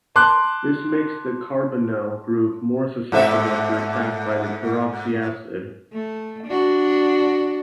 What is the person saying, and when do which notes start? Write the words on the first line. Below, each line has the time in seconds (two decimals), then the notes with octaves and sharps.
This makes the carbonyl group more susceptible to attack by the peroxyacid.
0.16 A5 C6 D6 F#6
3.12 G#2 A4 E5
5.92 A3
6.47 D4 F#4